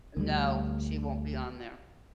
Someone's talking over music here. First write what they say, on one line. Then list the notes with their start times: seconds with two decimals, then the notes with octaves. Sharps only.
No. She won't be on there.
0.17 D2 G3